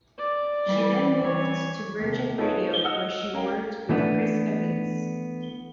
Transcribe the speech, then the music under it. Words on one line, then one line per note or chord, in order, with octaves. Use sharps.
She then moved to Virgin Radio where she worked with Chris Evans.
D5
E3 G3
E3 C#5
D#2 C3
D#4 F4 G#4 A4 B4 C#5
D#5 F#5 E6 F6
C#4 A#4 F5 G5 A#5
E3 A3 B3 D4